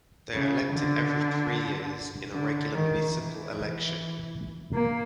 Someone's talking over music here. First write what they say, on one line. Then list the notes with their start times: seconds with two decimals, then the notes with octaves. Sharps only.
They are elected every three years, in the regular municipal election.
0.33 C#3
0.73 D3
2.33 D3
2.74 D#3
3.14 E3
4.74 A#3